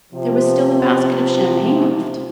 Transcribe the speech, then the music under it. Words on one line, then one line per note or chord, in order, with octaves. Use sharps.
There was still a basket of champagne left.
C3 F3